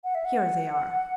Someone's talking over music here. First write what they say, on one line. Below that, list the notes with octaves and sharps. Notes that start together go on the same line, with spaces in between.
Here they are...
F#5
E5
F#5